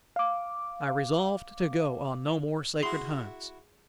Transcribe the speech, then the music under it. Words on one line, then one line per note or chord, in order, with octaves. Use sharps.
I resolved to go on no more sacred hunts.
F5 D6
E4 F#4 G#4 C6 C7